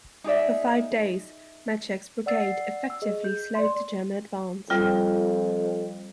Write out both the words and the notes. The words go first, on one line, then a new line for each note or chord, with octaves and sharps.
For five days Maczek's brigade effectively slowed the German advance.
D#4 G#4 D5 E5
D5 F#5 E6 A6 C7
E6
G#4 D#5
G6
D5 C6
F2 G3 F4